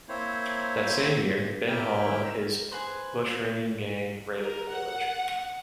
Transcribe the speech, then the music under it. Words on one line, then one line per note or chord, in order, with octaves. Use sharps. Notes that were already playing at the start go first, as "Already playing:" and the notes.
That same year, Ben Hall and his bushranging gang raided the village.
A#3 C4 E4 C5 C#5
E4 G4 A#4 G5
G#4 B4 C5
A#4
F#5